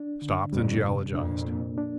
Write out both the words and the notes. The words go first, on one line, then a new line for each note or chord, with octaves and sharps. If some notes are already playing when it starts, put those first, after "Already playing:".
Stopped and geologised.
Already playing: D4
D3
F2 A#2 G3
C3
F2 A#2 D4
A#3
D4